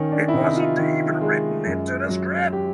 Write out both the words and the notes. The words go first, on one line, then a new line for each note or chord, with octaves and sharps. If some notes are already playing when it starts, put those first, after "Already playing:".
It wasn't even written into the scrip.
Already playing: D#3 C#4
D4
E4
C3 D#4
F4
D#3
G#3
F#2
F#3
G4